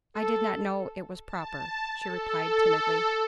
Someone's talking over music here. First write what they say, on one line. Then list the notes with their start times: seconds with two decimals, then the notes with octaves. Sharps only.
"I did not know it was proper:" she replied, timidly.
0.16 A4
1.26 A5
2.03 A4